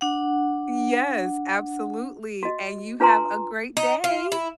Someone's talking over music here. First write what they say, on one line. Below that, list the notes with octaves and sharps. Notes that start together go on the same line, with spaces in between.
Yes, absolutely, and you have a great day!
D4 F#5
F#4 D#5
D4 F4 B4 G#5 A#5 C6
D#4
F4
E4